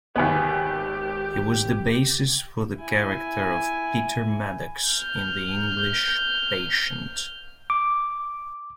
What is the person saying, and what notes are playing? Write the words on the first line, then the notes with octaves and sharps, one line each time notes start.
He was the basis for the character of Peter Madox in "The English Patient".
G#1 D#2 B3 G4 D#5 G#5
E4 G#5
F6 G6
D6